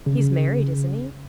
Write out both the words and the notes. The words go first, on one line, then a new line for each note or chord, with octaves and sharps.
'He's married, isn't he?
C#3